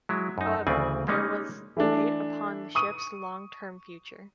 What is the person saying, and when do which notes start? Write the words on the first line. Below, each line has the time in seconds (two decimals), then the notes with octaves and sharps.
However, there was debate upon the ship's long-term future.
0.09 F#3 G#3 E4
0.38 F#2 D#4
0.67 D2 C#3 E3 C4 D5 G#5
1.08 G3 G#3 A#3 C#4 D#4
1.77 E3 A3 D4
2.75 C#6 D#6 D#7